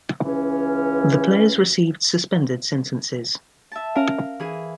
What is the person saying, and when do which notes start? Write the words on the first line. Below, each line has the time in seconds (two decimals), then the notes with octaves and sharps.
The players received suspended sentences.
0.24 C#2 E3 C#4
3.72 E5 A5
3.96 C#4 A#4 E5 F5 A#5
4.40 E3 G#4